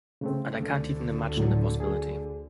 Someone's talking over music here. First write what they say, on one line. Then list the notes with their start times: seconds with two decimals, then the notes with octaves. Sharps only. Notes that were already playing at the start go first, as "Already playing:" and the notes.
And I can't even imagine the possibility.
0.21 C#3 A3 C4
0.54 D2 D3
1.37 A2 F#3
1.80 G#4